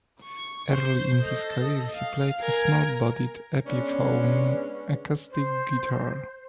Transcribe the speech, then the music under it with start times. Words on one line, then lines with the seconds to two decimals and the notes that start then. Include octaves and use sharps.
Early in his career he played a small-bodied Epiphone acoustic guitar.
0.24 C#6
0.72 C5 C6
1.20 A4 D#5
1.95 F5
2.41 A#4 G#5
3.66 G#3 B3 C#4 D4
5.31 C5